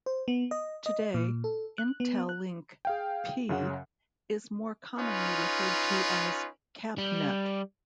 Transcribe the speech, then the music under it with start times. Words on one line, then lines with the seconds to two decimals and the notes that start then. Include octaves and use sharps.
Today, Intelink-P is more commonly referred to as CapNet.
0.06 C5
0.28 B3
0.51 D#5
0.86 D#5
1.14 A#2
1.44 A4
1.78 F#6
2.00 B3
2.29 F#6
2.85 G#4 F5 G5
3.49 F#2 C#3 C#5 F#5
4.97 C#4 D#4 F4 B4
6.98 G3